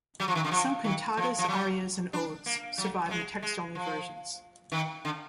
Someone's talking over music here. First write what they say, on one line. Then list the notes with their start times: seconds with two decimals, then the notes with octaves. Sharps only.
Some cantatas, arias, and odes survive in text-only versions.
0.20 F#3
0.28 F3
0.35 D#3
0.44 D3
0.51 F3
0.84 D#3
1.17 F3
1.38 F3
1.48 F#3
2.13 D4
2.46 A#3
2.78 F#3
3.06 F#3
3.11 G#3
3.43 G#3
3.75 F3
4.72 D#3
5.05 D3